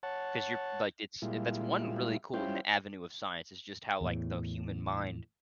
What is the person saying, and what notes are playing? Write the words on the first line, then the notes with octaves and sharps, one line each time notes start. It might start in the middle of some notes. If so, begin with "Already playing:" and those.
'cause you're like, it's that's one really cool avenue of science is just how, like, the human mind
C#5 F#5 A5
A#2 G3 G#3 E4 F4
G3 C#4 E4 F4 C5 G5
E2 A2